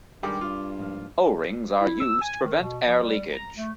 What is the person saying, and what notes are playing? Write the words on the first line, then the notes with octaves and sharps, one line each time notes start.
O-rings are used to prevent air leakage.
G2 D#3 G3 G#3 D5
G2 F4
G#2 F3 A#3
E4
E6
G#5
D#3
B2
F3
G3
A#5
A3